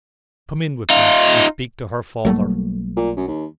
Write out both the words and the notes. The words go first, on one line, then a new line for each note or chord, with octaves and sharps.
'Come in with me, and speak to her father.'
D#4 F4
B1 F#3 G3 A3 A#3
A#2
F#2
D#2